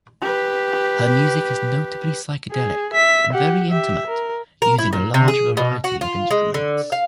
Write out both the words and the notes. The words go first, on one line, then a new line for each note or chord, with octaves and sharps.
Her music is notably psychedelic and very intimate using a large variety of instruments.
G4 B4
G#4
E5 B6
G4 F#5
G4 E5
A#4
A#4
E4
A#2
C3
G#4
B2
F#4
F4
G#3
D3
F5